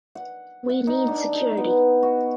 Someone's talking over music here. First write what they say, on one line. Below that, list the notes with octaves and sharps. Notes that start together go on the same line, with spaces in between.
We need security.
F#5
F#5
D#4
D4
D#4
B3
F#4